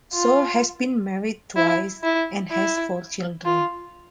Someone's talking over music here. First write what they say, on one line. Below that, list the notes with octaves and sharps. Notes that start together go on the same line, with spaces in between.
So has been married twice and has four children.
F4
E4
E4
E4
F4